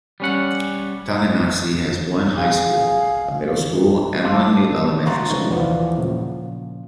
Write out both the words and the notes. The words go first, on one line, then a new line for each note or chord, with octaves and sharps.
Tonganoxie has one high school, a middle school, and one new elementary school.
G3 C#4 F#5
G#4 F5
F5 A5 C6 D6 E6 F#6
A5
A#5 C6 C#6 F#6 A6
D3 E3 F3 G#3 C#4 D#4
D#2 E3 F3 F4 D5 F#5
A#2 C#3 F3